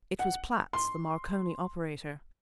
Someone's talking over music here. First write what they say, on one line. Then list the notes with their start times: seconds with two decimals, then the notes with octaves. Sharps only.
It was Platts, the Marconi operator.
0.19 F#5
0.73 C6